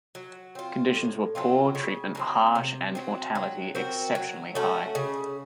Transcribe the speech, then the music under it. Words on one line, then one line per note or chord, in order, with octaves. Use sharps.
Conditions were poor, treatment harsh, and mortality exceptionally high.
F#3
C4 F4
A2
F#3 C4 F4
C#3
F#3 A3 C4
C3
F#3 C4
F#3
C4 F#4 A#4
F#3
A3 C#4 F#4
C#3